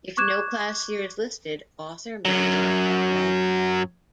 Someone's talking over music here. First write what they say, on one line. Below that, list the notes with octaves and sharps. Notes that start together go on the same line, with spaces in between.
If no class year is listed, author may not have graduated.
C#6 D6 F#6 G#6 E7
F#2 F#3